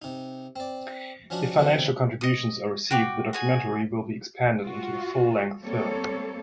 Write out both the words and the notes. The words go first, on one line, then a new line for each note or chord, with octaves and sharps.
If financial contributions are received, the documentary will be expanded into a full-length film.
C3 D#4
C4 D5
F3 C#4 D4 F#4 D#5
B2 D3 E3 F#3 C4
D#5 D#6
F#4 G5 D6
F#4 G#4 G#5
F4 F#4
G3 A#3 C4 A4 C#5